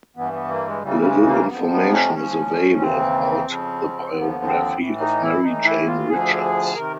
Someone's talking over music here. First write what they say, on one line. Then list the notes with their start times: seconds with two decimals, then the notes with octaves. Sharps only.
Little information is available about the biography of Mary Jane Richards.
0.17 G2 E3 B3
0.33 B3
0.49 A#3
0.66 G#3
0.82 D#2 C#3 E3 G3
1.05 G#3
1.26 A#3
1.48 F2 C3 F3 B3
1.70 B3
1.92 C#4
2.08 C4
2.14 G#2 F3 C#4
2.80 D#2 C#3 E3 C4
3.46 F2 C#3 F3
4.11 D#2 D3 F3 B3
4.44 C4
4.77 A2 E3
4.99 D#4
5.21 E4
5.43 A2 E3 D#4
5.65 E4
5.87 F4
6.09 D2 D3 F3 G#4
6.75 C3 D#3 A#4